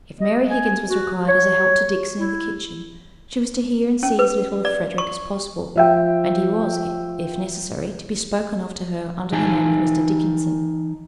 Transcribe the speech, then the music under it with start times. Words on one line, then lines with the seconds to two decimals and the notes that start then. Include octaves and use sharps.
If Mary Higgins was required as a help to Dixon in the kitchen she was to hear and see as little of Frederick as possible; and he was, if necessary to be spoken of to her under the name of Mr. Dickinson.
0.20 D#5
0.50 G#5
0.88 F#4
1.28 C#5
2.19 E4
4.03 C#4
4.19 B4
4.65 D5
4.98 C#6
5.76 F3 E5 G5
9.32 E3 D#4 G#5 A5